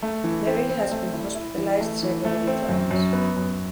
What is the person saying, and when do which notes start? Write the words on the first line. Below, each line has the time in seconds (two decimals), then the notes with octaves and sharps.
Mary has been hospitalized several times.
0.02 A3
0.24 E3
0.47 C4
0.70 C4
0.91 A3
1.13 E4
1.35 E4
1.57 E3
1.81 A3
2.03 E3
2.25 A3
2.47 C4
2.69 F#2
2.91 F#2
3.13 B3
3.36 F#2